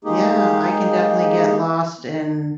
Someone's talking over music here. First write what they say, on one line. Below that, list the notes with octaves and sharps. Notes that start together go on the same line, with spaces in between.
yeah, I can definitely get lost in
G#3 A#3 D#4 G4 G#4